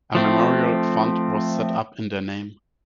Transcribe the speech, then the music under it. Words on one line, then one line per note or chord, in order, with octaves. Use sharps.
A memorial fund was set up in their name.
F3 A3 C4